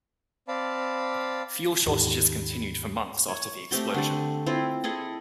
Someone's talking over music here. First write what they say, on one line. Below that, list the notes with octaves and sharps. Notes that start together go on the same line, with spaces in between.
Fuel shortages continued for months after the explosion.
C4 D5 F5 A5 B5
D#2 G#2 D#3 D#4 G4 B5
C#5
A3 C4 G4 C6
D3 D5
C4 E4 F4
E4 G#4 A4 D#5